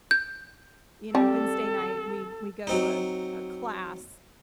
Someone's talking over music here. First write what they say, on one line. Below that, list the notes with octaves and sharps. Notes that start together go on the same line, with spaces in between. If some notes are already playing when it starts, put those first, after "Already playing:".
you know, Wednesday night- we we go to a a class
G6
G3 C4 G4 A4
F#3 C4 D#4